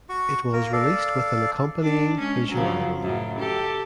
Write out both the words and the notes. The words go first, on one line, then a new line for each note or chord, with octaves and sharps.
It was released with an accompanying visual album.
F#4 C#6
A#3 A#4
A4 D5 F5
D4
G#3 C#4
C#3 F3 F#3
F#2 A2 C#3
G4 A4